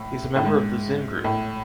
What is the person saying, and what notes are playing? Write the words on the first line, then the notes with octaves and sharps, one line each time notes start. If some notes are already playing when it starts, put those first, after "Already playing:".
He's a member of the Zin group.
Already playing: A2
A2
G#2
A2